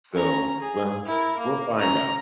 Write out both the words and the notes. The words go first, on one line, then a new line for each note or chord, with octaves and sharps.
So, well, we'll find out.
C#4 A#5
G#4
E4 A#4
A#3
C#4 A#5